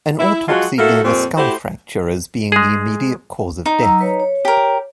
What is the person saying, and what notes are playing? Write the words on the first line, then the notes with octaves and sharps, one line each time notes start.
An autopsy gave a skull fracture as being the immediate cause of death.
E4
F3 F#3 G#3 F4 F#4 G#4
A3 A#3 E4 F#4 A4
F2 A#2 G3 C4
A3 E4 F#4 G4 C5
G#3 G#4
D#4
F#3 A#5 E6
B4 C#5
C#5
G4 A#4